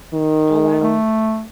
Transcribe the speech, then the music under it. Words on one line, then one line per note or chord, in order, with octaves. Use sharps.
Oh, wow.
D#3
A3